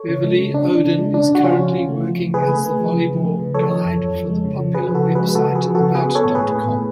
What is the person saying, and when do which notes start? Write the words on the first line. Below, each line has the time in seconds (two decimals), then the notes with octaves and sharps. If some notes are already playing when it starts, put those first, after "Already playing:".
Beverly Oden is currently working as the Volleyball Guide for the popular website About.com.
Already playing: A4 C#5
0.09 C#3
0.24 G#3
0.39 C#3
0.54 C#3 D4
0.69 C#3
0.84 C#3
0.99 G#3
1.14 C#3 D4
1.29 C#3
1.35 F#4
1.44 F3 C#4 F4
1.59 C#3
1.74 C#3
1.89 A3
2.04 F3
2.20 C#3
2.34 C#3 G#4 B4
2.49 A3
2.65 A3
2.80 F3
2.95 C#3
3.09 F3
3.25 A3
3.40 C#3
3.55 F3 A4 C#5
3.69 F3
3.85 F2
4.00 F2
4.15 F3
4.30 G#3
4.45 C#3
4.60 F3
4.74 F3 G#4 B4
4.89 C#3
4.95 F#4 A4
5.05 F3
5.15 G#3 G#4 B4
5.35 C#3 F#4 A4
5.50 F3
5.55 G#4 B4
5.65 F3
5.75 F#4 A4
5.80 C#3
5.95 B3 G#4 B4
6.10 B3 A4 C#5
6.25 A2
6.35 G#4 B4
6.41 A2
6.55 B3
6.71 A2